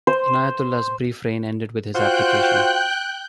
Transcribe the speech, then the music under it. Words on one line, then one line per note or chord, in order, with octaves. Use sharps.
Inayatullah's brief reign ended with his abdication.
C5
F4 F#4 C5 G5 F#6 G6